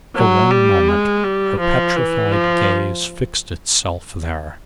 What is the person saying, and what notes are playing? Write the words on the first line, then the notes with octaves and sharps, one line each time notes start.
For one moment her petrified gaze fixed itself there.
F#3
G3
G#3
G3
F3
E3
F3